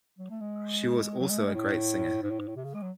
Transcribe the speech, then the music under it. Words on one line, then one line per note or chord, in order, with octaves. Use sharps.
She was also a great singer.
F#3
A3
G#3
F#3
G#3
A3
G#3
A2
G#2
A2
G#2
A2
C3
C#3
G#3
F#3